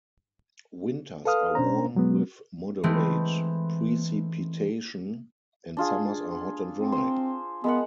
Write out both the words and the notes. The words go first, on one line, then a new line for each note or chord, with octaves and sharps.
Winters are warm with moderate precipitation, and summers are hot and dry.
A4 B4 F5 D#6 F6
B2 C#4 D4 C5 A#5
B2 F#3 G#3 B3
E3 G#3 A3 C4
D4 F4 G#4
C4
C5
G#3 B3 A#4 F#5